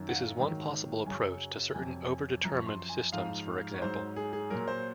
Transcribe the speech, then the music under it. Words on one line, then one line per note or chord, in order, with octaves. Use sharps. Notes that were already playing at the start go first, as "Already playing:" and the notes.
This is one possible approach to certain over-determined systems, for example.
Already playing: F#2 D#3 F#3
F#5
F5
G#2 D#3 F#3
F#2 C#3 F#3 G#5
F2 C3 F#3 G#5
F#2 F3 A#5
C#6
C6
G#5
G#2 F3 F5
C#5
G#2 F#3 C5
G#4
G#4
A#2 F#3 A#4
C5